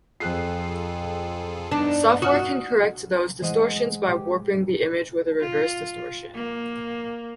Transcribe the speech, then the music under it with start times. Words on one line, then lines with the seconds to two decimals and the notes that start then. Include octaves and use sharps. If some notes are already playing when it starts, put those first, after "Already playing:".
Software can correct those distortions by warping the image with a reverse distortion.
0.20 F2 F4 G#4 A4 F#6 C7
1.72 G2 B3 D4 D#4
2.22 F#4 D#6 F6
3.42 E3 G#3 C5 D#5 F#5
4.06 G4
5.41 F4
6.35 A#3